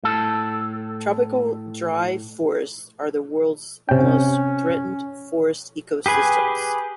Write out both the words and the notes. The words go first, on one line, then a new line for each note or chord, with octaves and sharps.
Tropical dry forests are the world's most threatened forest ecosystems.
A2 A4
C3 C#4 G5
G4 G#4 B4 G#5